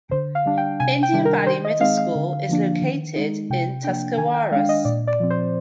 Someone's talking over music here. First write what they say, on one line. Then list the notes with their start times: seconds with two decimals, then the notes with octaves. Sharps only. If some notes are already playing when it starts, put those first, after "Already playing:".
Indian Valley Middle School is located in Tuscarawas.
0.11 D3 C5
0.35 F5
0.46 G3 D4
0.57 G5
0.80 C3 G#5
1.03 G5
1.13 D#3 G3 D4
1.25 A#4
1.47 D#3 C5
1.65 D#5
1.81 G#3 C4 D#4 F5
1.98 F5
2.15 D3
2.49 F3 A#3 D4
2.82 D#3
3.16 G#3 D#4
3.50 C3 G5
3.84 F3 A#3 D4 G5
4.17 D#3 G#5
4.34 G5
4.51 G#3 F5
4.56 D4
4.69 D#5
4.85 A#2 D5
5.07 D5
5.20 F3 C4
5.30 C5